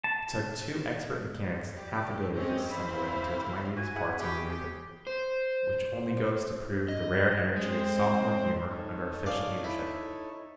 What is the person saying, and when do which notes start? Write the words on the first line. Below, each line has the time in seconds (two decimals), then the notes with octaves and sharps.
It took two expert mechanics half a day to dissemble it into its minutest parts and remove it, which only goes to prove the rare energy of sophomore humor under efficient leadership.
0.04 A5
1.75 G4 D5
2.35 G#3 C4 C#4 G4 C#5 D#5
2.68 E3 C4 E4 C5 F5 B5
3.77 F#4 G#5
3.95 E4 G#4 F#5
4.20 B2 G4 G#4
4.50 G4
5.07 C5
6.88 D#5
7.56 G#3 C4 C5
8.71 D#4 A4 C#5
9.26 D5 F5 G#5
9.64 E4